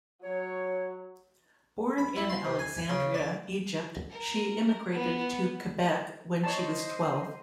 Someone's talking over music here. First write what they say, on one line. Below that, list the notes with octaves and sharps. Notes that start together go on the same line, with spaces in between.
Born in Alexandria, Egypt, she immigrated to Quebec when she was twelve.
F#3 C#5
B5
E4
C6
C3
G#5
G#5
C#3
D5
A#4
B3
C5 C#5 D#5 A5